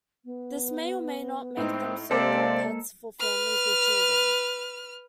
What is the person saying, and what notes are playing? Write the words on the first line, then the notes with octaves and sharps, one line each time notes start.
This may or may not make them suitable pets for families with children.
B3
A2 G#3 C4 D#4
C3 G#3 A#3 A4 C5 D5 F5
B4 F6